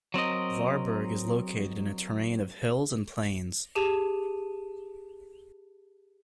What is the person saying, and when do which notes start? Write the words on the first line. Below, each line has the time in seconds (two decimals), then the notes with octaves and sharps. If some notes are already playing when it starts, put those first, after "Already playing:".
Varberg is located in a terrain of hills and plains.
0.14 F#3 C4 A#4 D#5
3.75 G4 G#4 A5 D#7 E7